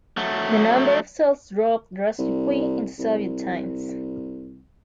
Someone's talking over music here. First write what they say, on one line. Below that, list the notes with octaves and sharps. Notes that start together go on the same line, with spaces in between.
The number of cells dropped drastically in the Soviet times.
F#3 A3
C2
C2